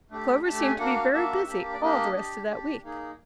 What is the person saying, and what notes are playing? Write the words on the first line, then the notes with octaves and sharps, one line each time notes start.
Clover seemed to be very busy all the rest of that week.
A3 D4 G4
A3 D4 G4 A5
G#5
A#3 D4 F#4 F#5
F5
A#3 D4 F#4 E5
A#3 D4 G4
D5
A#3 D4 G4 D#5
D4 G4
D4 G4
A#3 D#4 G#4